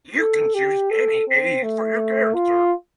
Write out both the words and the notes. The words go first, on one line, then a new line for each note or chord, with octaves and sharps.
You can choose any age for your character.
A4
G4
A4
C4
A3
F4